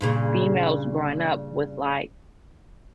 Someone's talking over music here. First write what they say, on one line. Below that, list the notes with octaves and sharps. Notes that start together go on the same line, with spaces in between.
females growing up with, like,
G2 A#2 C#3